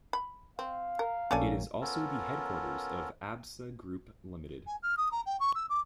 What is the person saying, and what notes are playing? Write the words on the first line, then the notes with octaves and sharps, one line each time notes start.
It is also the headquarters of Absa Group Limited.
B5
C4 F5
A#4
A#1 A3 A#3 C#4 D5 G#5
B3 C#4 F4 A4 A#4
G#5
F6
D#6
A#5
G5
C#6
E6
D6